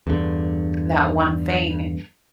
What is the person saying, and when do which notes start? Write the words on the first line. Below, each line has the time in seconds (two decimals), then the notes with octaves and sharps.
that one thing,
0.07 E2 G2 D3